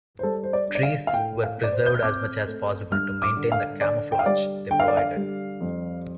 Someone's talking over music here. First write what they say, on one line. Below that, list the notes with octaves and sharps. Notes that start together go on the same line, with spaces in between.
Trees were preserved as much as possible to maintain the camouflage they provided.
C5
G3 A4
C5
D5
D4
D5
F5
F5
A2 G5
F5
A2
D5
C5
G6
F6
C4 D6
A3
G2 F6
D6
D3
F5
D3 D5
G5
F5
G3 D5
D3 G5
F5
D5
F5
G3
F2